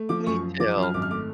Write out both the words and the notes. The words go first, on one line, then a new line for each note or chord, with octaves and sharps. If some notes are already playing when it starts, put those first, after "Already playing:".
Me too.
Already playing: A3
F3 D6
F#2 C#6
F#2
F3 D6
D6
F#2
F6
G#1 D6
F6
A3 D6